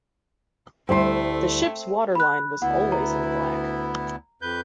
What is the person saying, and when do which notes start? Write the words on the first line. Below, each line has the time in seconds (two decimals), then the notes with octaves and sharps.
The ship's waterline was always in black.
0.89 D2 G3 A3 C4 E4 C6
2.15 B5 F#6
2.62 D2 B3 E4 F#5
2.92 A#5
4.42 F2 B4 G6